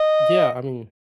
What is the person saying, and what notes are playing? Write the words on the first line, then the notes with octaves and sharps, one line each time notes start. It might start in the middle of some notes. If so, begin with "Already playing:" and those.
Yeah, I mean,
Already playing: D#5